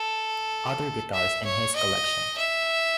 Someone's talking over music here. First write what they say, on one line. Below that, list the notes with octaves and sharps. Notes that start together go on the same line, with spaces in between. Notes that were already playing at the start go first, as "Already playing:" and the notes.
Other guitars in his collection.
Already playing: A4
E5
C#5
D#5
E5